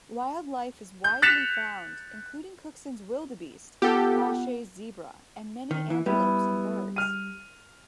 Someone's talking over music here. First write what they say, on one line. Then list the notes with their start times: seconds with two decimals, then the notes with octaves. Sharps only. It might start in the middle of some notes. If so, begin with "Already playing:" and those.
Wildlife is widely found, including Cookson's wildebeest, Crawshay's zebra and many antelopes and birds.
1.04 G6
1.22 F#6 A6 B6 C#7 E7 F7
3.82 B3 F4 G4 A4 F#5
5.71 D#3
5.90 E3
6.06 G3 B3 E4
6.96 F6 D#7